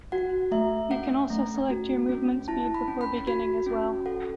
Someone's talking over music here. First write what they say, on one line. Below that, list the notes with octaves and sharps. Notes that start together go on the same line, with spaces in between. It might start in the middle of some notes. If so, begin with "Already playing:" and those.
You can also select your movement speed before beginning as well.
F#4 F#5
A3 E5
C#4 F#5
A3
F#4
C#4
E4 A5
B5
C#4
B5
F#4 B5
C#4
A4 F#5